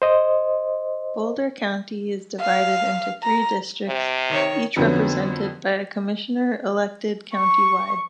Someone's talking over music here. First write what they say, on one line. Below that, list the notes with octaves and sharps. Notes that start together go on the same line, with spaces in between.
Boulder County is divided into three districts each represented by a commissioner elected county-wide.
C5 D#5
F5
A#5
C3
D#3 C#5
F2 D3 F#3 B3 C#4
C#6